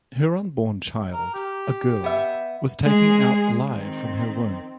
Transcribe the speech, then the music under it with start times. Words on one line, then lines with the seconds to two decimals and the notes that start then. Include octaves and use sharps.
Her unborn child, a girl, was taken out alive from her womb.
1.13 A#4
1.34 G4
2.04 B3 E5
2.82 G#3 G#4
3.74 D#3 C4